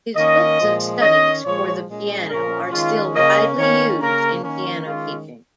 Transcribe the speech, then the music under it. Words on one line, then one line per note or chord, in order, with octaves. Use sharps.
His books of studies for the piano are still widely used in piano teaching.
D#3 A#3 C#4 D#5
A#2 F3 G#3
D#3 C#4 D#5
A#2 F3 G#3 C#5
A#2 G#3 C#4
A#2 F3 C#4 A#4
D#3 G#3 C#4 F4
C#3 A#3 C#4 D#5
D#3 A#3 C#4 C#5
C#3 A#3 C#4 A#4
D#3 A#3 C#4
D#3 G#3 C#4 F4